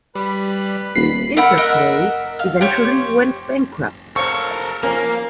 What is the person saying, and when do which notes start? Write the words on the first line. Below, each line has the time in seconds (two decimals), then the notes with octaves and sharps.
Interplay eventually went bankrupt.
0.15 G3 B4 B5
0.96 D#1 B5 B6 C7
1.37 A#4 E5 F#5 B5
1.57 A#4 D#5 E5 F#5
2.39 F5
2.61 G4 C5 C#5
4.16 A4 A#4 C5 C#5 F5 C#6
4.83 F3 A#3 C#4 A#4